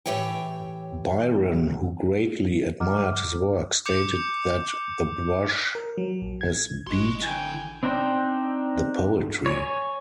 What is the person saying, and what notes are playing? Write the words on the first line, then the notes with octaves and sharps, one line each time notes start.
Byron, who greatly admired his work, stated that "the brush has beat the poetry".
A2 E3 G4 C#5 E5 G5
D#5 F#5 A#5 D6 F6
D6 G6 C#7 F7
A#4
F#3
A#1
G#6
G#1 D#5 C6 C#6
D3 E4 G5 G#5
C4 D4 D#4 C5 G5
C#5 G#5